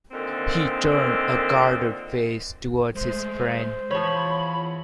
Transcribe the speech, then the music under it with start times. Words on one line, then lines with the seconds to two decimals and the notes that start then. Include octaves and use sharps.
He turned a guarded face towards his friend.
0.11 A#2 D3 D#3 C4
2.96 G#3 A3 C5
3.91 E2 F3 C#5 B5